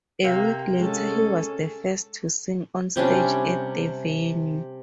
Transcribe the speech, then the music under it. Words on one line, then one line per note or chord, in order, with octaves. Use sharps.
A week later he was the first to sing on stage at the venue.
C3 A#3
G#3 C#4 A4
C3 G3 C#4 D4